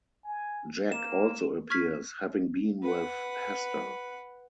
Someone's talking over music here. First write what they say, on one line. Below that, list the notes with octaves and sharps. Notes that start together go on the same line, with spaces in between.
Jack also appears, having been with Hester.
G#5
A#3 E7
C#6 F6 G#6 B6
B4 F#5